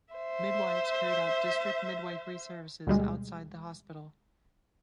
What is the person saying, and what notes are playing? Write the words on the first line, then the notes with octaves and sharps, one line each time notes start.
Midwives carried out district midwifery services outside the hospital.
C5 E5
D2 B2 G3 G#3